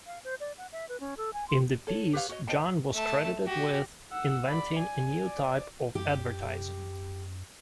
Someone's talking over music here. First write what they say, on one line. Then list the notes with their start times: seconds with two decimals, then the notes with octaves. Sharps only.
In the piece John was credited with inventing a new type of advertising.
0.06 F5
0.24 C5
0.40 D5
0.58 F#5
0.72 E5
0.89 B4
1.00 C#4
1.17 A4
1.33 G#5
1.48 C6
1.87 A4 C#5
2.13 G4 B4 C#5 F5
2.29 F#4 C#5 D#5
2.47 C5 D#5 G5 A5
2.94 A3 A5
3.46 F#4 G4
4.12 F#5 E6
4.48 D5 B5
4.79 G#5
5.25 D5
5.95 F#2 G4